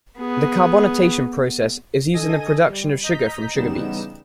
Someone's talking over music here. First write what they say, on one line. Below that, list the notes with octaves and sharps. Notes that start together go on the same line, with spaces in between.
The carbonatation process is used in the production of sugar from sugar beets.
B3 G#4
D3 A4 D#5 G#5 A#6 D#7
G3
D#5 A#5 G6 B6
E2 C#3 G3 B3 D#4 E7